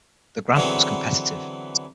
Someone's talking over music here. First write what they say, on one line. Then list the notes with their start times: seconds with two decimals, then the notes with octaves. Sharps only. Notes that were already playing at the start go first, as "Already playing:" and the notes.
The grant was competitive.
0.56 D3 E3 F#3 B3 C4 G#4